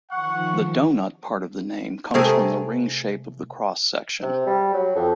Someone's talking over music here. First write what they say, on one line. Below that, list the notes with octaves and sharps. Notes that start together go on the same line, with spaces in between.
The "doughnut" part of the name comes from the ring shape of the cross-section.
D#3 F3 F#5 C#6
C3 A3 G#4 A#4
C3
G3
F#3
F2